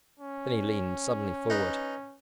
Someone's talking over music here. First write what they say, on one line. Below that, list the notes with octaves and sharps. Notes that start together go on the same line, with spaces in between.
Then he leaned suddenly forward.
C#4
D#4 B4